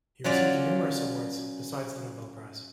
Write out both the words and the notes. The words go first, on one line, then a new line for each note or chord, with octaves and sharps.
He received numerous awards besides the Nobel Prize.
F#3 C#4 F4 D5